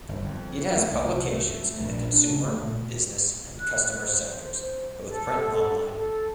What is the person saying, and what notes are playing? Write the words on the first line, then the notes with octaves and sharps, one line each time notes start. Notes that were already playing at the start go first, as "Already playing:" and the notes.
It has publications in the consumer, business and customer sectors, both print and online.
G1
F2
A3
C2
A3
A#1
D4
C#3
A3
A#2
F#6
C5
A4
A4